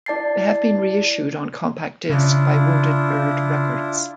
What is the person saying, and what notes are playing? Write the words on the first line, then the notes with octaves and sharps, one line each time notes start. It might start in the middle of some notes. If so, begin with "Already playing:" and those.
They have been reissued on Compact Disc by Wounded Bird Records.
E4 D5 A5 A6 C7
C#3 D4 E4 F4